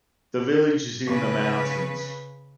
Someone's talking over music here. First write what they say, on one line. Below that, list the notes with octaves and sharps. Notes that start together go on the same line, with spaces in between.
The village is in the mountains.
C#3 B4